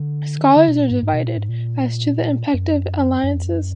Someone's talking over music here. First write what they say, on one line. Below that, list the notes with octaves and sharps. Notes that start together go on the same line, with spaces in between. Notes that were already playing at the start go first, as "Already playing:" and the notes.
Scholars are divided as to the impact of alliances.
Already playing: D3
D#3
D3
D3
B2
A#2
G#2
G#2
B2
A#2
G#2
A#2
F#2
F#2
F2
F#2